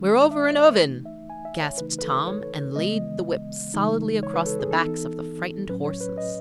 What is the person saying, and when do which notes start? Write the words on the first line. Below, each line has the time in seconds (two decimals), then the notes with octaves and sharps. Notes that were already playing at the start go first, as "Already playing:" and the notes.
"We're over an oven!" gasped Tom, and laid the whip solidly across the backs of the frightened horses.
Already playing: D#3 G#3 C#4
0.31 E5
0.49 C#5
0.64 E5
0.81 E3 A3 D#4
1.05 E5
1.30 G#5
1.45 E5
1.62 C#5
1.78 C#3 E3 A3 D#4 B4
1.99 B4
2.02 A4
2.27 C#5
2.76 C#3 E3 G#3 B3 D#5
3.74 C#3 E3 G#3 D#4
4.23 C#5
4.34 B4
4.46 A4
4.59 G#4
4.71 E3 B3 D#4 A4
5.69 A2 F#3 C#4 B4
5.85 C#5
6.01 B4
6.18 D#5